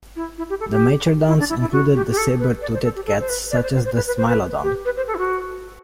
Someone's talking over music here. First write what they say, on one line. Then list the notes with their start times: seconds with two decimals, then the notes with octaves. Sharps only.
The machairodonts included the saber-toothed cats such as the "Smilodon".
0.16 E4
0.38 E4
0.50 G4
0.60 A4
0.71 G4
1.28 E4
1.39 D4
1.49 E4
1.61 E4
1.72 F#4
1.95 G4
2.11 G4
2.17 A4
2.39 B4
2.61 D5
2.73 C5
2.84 A4
2.95 G4
3.06 A4
3.20 C5
3.29 B4
3.51 D5
3.57 B4
3.63 C5
3.74 C5
3.85 C5
3.96 B4
4.07 B4
4.18 C5
4.29 B4
4.63 G4
4.85 B4
4.97 C5
5.07 A4
5.15 E4
5.19 F#4